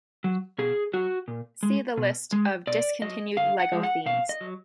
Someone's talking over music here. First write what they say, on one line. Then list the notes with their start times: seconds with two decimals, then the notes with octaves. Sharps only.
See the list of discontinued "Lego" themes.
0.24 F#3
0.58 B2 G#4
0.93 F#3 F#4
1.28 A#2
1.63 G#3
1.97 B2
2.32 G#3
2.67 B2 D5
3.02 F#3 D#5
3.37 D3 F5
3.60 F#5
3.72 F3 G#3
3.83 F#5
4.06 B2 F5
4.29 D#5
4.41 F#3